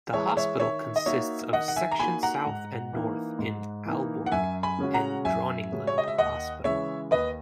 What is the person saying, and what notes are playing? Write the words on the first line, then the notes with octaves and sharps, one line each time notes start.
The hospital consists of Section South and North in Aalborg and Dronninglund Hospital.
E3 G#3 C#5 E5
C#5 E5
D#3 C#5 E5
D#5
A#3 D#4 F#4 C#5 E5
D#3 D#5 F#5
F#5
E5 G#5
A#5
A#3 D#4 F#4 G#5 B5
F#5 A#5
G#2
E3 A#3 D#4
G#2
E3 A#3 D#4
F#5
F#2 E5 G#5
G#5 B5
C#3 G#3 C#4 F#4
F#5 A#5
F#2 E5 G#5
C#3 G#3 C#4 F#4
C#5
D#5
E5
D#2 D#5 F#5
C#3 E3 G#3 C#5 E5
D#2 B4 D#5